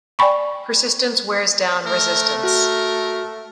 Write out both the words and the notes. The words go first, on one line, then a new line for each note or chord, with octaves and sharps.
Persistence Wears Down Resistance.
D5 G5 G#5 B5 C#6
A3 A#4
F#4 A#4